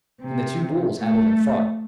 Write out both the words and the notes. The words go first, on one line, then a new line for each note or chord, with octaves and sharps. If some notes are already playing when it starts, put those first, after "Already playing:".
And the two bulls at it and fought.
C3
A3